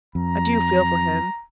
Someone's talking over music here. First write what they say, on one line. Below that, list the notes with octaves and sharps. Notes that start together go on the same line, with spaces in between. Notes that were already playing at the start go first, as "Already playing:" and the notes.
I do feel for him.
F2 A#5